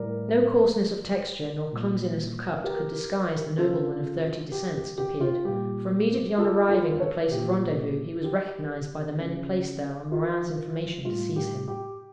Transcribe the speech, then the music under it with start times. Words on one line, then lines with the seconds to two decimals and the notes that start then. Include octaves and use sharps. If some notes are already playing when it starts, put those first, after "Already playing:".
No coarseness of texture, nor clumsiness of cut could disguise the nobleman of thirty descents, it appeared; for immediately on arriving at the place of rendezvous, he was recognized by the men placed there on Morin's information to seize him.
Already playing: A2 E3 G3 A#4 D5
1.71 A#2 G3
2.64 G4 A#4
3.57 C#3 F3 F4 A4
4.52 G4
4.74 G4
4.98 G4
5.21 F4
5.44 A#2 G3 G4
6.38 F4 A4
6.69 F4 A4
7.00 A4 C#5
7.31 A#2 F3 G4
8.24 G4
9.19 C#3 F3
10.12 F4
11.04 A2 G3 F4
11.36 G4
11.68 G4